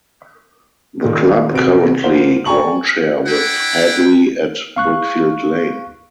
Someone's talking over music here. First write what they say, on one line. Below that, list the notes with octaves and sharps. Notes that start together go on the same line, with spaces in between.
The club currently groundshare with Hadley at Brickfield Lane.
A#2 D#3 G#3
C3 C4 F#4 B4 D7
A#3 F4 C5 F#5 G7
D5 G5 G#5 A#5 C#6 F#7
D4 E4 F#5 G5
F5 C#6 F#6